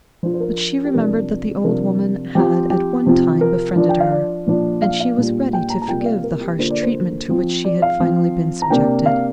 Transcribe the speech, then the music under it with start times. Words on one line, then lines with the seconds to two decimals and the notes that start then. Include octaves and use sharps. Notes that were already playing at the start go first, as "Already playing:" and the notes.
But she remembered that the old woman had at one time befriended her, and she was ready to forgive the harsh treatment to which she had finally been subjected.
0.23 F3 D4 F4 C5
0.34 C5
0.40 A#4
0.85 G4
0.94 C3 F3 D4 A#4
1.64 C3 F3 D4 F4 A#4
2.35 F3 C4 F4 G4
2.70 G4
3.06 C3 F3 C4 F4
3.41 A#4
3.76 F3 D4 F4
3.89 G5
4.00 F5
4.12 D5
4.47 A#2 F3 D4 F4
4.82 F5
5.00 F5
5.17 A#2 G3 D4 F4
5.53 G5
5.70 A#5
5.82 A#5
5.88 C3 G3 A#3 F4 G5
6.00 D5
6.05 F5
6.24 A#4
6.41 G4
6.59 D3 A#3 F4 C5
6.70 D5
6.82 C5
7.29 F3 C4 F4
7.64 D5
7.82 F5
8.00 F3 C4 F4
8.62 A#5
8.70 C3 A#3 D4 G5
9.06 F5